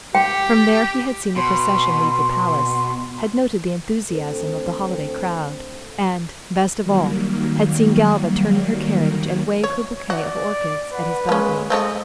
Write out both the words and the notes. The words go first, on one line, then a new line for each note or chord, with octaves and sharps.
From there he had seen the procession leave the palace, had noted the enthusiasm of the holiday crowd, and, best of all, had seen Galva turn in her carriage and wave her bouquet of orchids at his balcony.
G4 G5
B2 C6
D2 C4 A4 C5
D#3 F#3 G3 A#3
C#5
F#4 D5
B4 F#5
G#3 A#3 C#4
F3 G#3 A3 C4 D#5